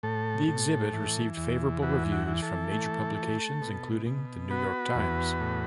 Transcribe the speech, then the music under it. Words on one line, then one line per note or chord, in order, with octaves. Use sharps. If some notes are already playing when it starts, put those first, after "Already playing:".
The exhibit received favourable reviews from major publications including "The New York Times".
A2 A4
A2
E3
E2
E3 F#4 B4
F#4
E3
A4
A3
A3
B2
B2
B3 F#4 B4
E2
A2